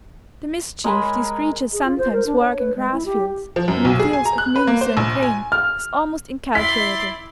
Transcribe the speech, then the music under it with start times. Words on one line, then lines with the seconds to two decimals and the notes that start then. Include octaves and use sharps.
The mischief these creatures sometimes work in grass fields, and in fields of newly-sown grain, is almost incalculable.
0.84 G#3 A#4 G#5 B5
1.73 G#4
1.85 F4
1.98 C5
2.13 A#4
2.26 D4
2.39 C#5
2.58 B4
2.76 G#3
2.92 E4
3.06 G4
3.56 F3
3.68 F#2
3.85 B1
4.00 G#4
4.13 G#5
4.25 A#5
4.38 F#6
4.56 B4
4.67 A#3
4.81 C5
4.97 A#1
5.23 G#5
5.52 F6
6.55 E4 D5 C6 B6